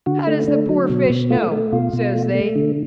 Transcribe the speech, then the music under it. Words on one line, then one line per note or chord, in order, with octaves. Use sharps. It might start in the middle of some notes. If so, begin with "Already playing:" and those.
How does the poor fish know?' says they.
D3 F#4
A3
D3 D4
F#3
B2
B2
A3 F4
A3
B2 F4
B2
A3
A3
D3